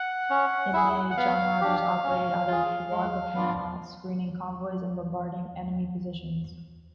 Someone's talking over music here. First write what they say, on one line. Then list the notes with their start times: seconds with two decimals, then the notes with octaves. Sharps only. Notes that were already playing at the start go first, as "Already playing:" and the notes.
In May, "John Rodgers" operated out of Guadalcanal screening convoys and bombarding enemy positions.
Already playing: F#5
0.30 C#4
0.74 E4 G#4
1.10 F#5
1.17 B3 F5
1.61 D4 G4
2.04 C#4
2.48 F4 G#4
2.91 G#3
3.35 B3 D4 F4